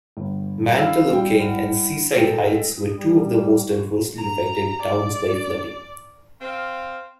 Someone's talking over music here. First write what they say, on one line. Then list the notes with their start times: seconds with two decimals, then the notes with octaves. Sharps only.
Mantaloking and Seaside Heights were two of the most adversely affected towns by flooding.
0.17 G1
0.79 E4 F5 E6
1.11 G3 G5
1.40 E4 F#5
2.16 G#3 A4 G5 A#6
2.98 G3
4.16 A#5
4.82 D5
6.41 C4 F5 C6